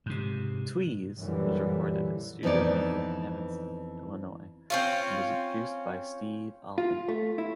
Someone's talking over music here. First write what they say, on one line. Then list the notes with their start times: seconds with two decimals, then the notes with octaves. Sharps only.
"Tweez" was recorded at Studiomedia in Evanston, Illinois, and was produced by Steve Albini.
0.06 G#2 C3
1.20 F#2 A#2 D3 E3 G3
2.43 F2 E3 B3 D#4 D5
4.70 C4 C#4 F4
6.78 F4
7.08 A3
7.38 E4